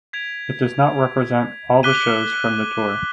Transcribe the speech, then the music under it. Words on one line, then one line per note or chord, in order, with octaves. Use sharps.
It does not represent all the shows from the tour.
G#6 B6 D7 F7
D6 F#6 B6 D#7 G7